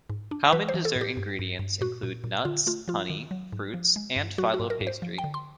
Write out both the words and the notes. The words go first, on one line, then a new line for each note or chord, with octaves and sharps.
Common dessert ingredients include nuts, honey, fruits, and filo pastry.
G#2
D4
E3 B4
C5
E3
A4
A2
G4
G2
G2
G2
A#2 F#4
A#2
A#2
D3 F4
A3 F4
F3 F4
D#3
F#3
G#2
F3
G#3
G2
F#3 F#4
F#4
G#2
A#4
G#2
C5
F3
G5
D3
C6